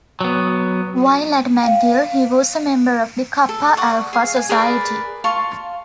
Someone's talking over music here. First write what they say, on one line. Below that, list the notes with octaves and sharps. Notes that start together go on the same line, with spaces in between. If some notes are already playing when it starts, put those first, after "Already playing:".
While at McGill he was a member of The Kappa Alpha Society.
F#3 B3
F5 G5
A4
D5 F#5 C#6 D#6
G#4 F5
G#5
G#4 A#4 B4 D5
F4 F5 A5 C#6